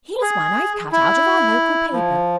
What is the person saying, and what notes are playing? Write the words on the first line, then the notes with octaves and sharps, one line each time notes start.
Here's one I have cut out of our local paper.
G#4
E4
F3